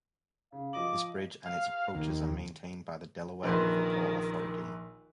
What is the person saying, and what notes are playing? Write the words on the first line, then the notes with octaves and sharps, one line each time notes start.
This bridge and its approaches are maintained by the Delaware River Port Authority.
C#3 F5
F3 D#5 D6 F#7
F5
D#2
A#1 D#3 B4 C6